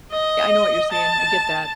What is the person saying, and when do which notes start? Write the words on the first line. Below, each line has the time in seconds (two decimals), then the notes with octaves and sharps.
I know what you're saying, I get that.
0.11 D#5
0.92 A5